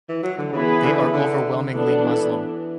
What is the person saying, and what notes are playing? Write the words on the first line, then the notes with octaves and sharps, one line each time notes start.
They are overwhelmingly Muslim.
E3
F#3
D3
C#3 E3 B3 E4 G#4 B4
D3
C#3
D3
E3 B3 D4 A4
F#3
E3